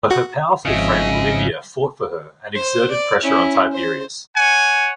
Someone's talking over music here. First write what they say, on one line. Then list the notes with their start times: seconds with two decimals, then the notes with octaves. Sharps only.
But her powerful friend Livia fought for her and exerted pressure on Tiberius.
0.11 F#4
0.65 G#1 C#3 F3 D#5 E5
2.56 C5
2.91 D5
3.23 C#4 E4
3.72 C5
4.37 C#5 F#5 G#5